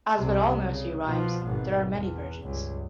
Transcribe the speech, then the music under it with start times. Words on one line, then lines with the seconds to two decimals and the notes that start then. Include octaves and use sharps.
As with all nursery rhymes, there are many versions.
0.17 C2 C3
0.69 C#3
1.04 B2 F3
1.43 G#1 B2
1.93 E2
2.43 C#2 G2